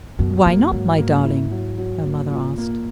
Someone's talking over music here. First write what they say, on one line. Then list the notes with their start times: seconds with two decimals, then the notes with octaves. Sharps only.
"Why not, my darling?" her mother asked.
0.19 F#2 B2
0.45 F#2 A#3
0.72 G#2 F#3
0.98 A#3
1.25 E4
1.51 F#3
1.78 F#3
2.05 A#3
2.31 A#2
2.58 A#3